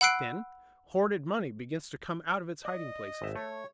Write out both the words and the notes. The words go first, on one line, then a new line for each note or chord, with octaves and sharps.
Then hoarded money begins to come out of its hiding-places.
F#5 B5 E6 F#6 C7 D7
D5 D#5
G#1 E5
A3 C#5